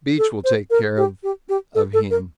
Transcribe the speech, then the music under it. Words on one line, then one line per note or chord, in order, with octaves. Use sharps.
Beach will take care of--of him.
A4
C5
A#4
G4
G4
G4
A4
A4
A#4